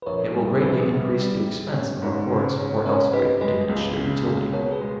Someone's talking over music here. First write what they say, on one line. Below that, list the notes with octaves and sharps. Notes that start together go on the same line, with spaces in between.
It will greatly increase the expense of our courts or else greatly diminish their utility.
B4
A#1 A#4 C#5
G3
A#1 G#4 B4
G3
G3
G3
C#4
G#2
C#3
C#4
C#4 A#4 C#5
G4 B4 D#5
G#3 B4 D#5
C#2
C#3
C#2
B2 A#4 C#5
G#4 B4
G#3